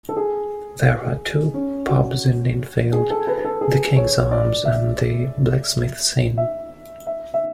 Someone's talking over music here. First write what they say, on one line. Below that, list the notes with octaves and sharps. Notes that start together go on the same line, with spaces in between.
There are two pubs in Ninfield - "The Kings Arms" and the "Blacksmiths Inn".
A4
G#4
C#4
F#4
G#4
A4
B4
B4
A4
G#4
C#5
D5
E5
E5
E5
E5